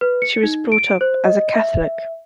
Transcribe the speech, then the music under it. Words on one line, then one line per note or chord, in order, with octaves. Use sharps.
She was brought up as a Catholic.
B4
C#7
D#4
D7
C5
D#5
E5